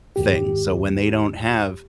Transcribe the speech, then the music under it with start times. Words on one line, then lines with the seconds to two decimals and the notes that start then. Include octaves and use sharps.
thing. So, when they don't have,
0.16 D#2 G#2 G4